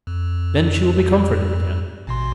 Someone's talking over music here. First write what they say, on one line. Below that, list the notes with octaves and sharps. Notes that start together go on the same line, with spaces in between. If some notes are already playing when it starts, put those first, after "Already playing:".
Then she will be comforted again.
F2
A1 B2 C6